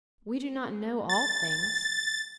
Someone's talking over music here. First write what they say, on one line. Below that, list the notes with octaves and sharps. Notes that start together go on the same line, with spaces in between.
We do not know all things.
A6